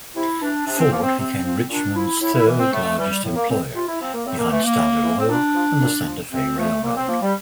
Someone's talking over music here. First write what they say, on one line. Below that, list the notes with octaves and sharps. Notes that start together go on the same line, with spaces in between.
Ford became Richmond's third largest employer, behind Standard Oil and the Santa Fe Railroad.
C3 E4
E3 D4
C3 D4
C4
F3 A#3
C4
C3 C4
F3
A#2 D4
F3 E4
A2 E4
E4
E3
C4
A2 A3
E3 G3
A2
A#3
E3 C4
C3 F4
E4
F3 C4
A#3
A2 C4
A#3
E3 A3
A#3
A2
E3
C4
A#2 D4
F3
A#2
F3
C3 C4
F3 A3
A#2 A#3
C4
F3 A#3
G3